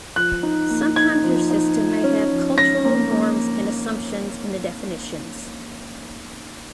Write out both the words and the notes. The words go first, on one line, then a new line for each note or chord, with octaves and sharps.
Sometimes your system may have cultural norms and assumptions in the definitions.
F3 F#6
D#4
A#3
D#4 G#6
F3
D#4
F3
C#4
F3
C#4 A#6
A#3
A#3